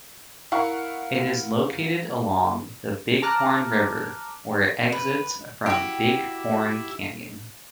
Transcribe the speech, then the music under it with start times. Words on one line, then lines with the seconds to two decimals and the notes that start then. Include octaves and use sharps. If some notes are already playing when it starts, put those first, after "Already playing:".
It is located along the Bighorn River where it exits from Bighorn Canyon.
0.52 E4 A#4 F5 F#5 C#6
3.22 A5 A#5 D6 F6 F#6
4.92 B4
5.66 E4 F#4 G4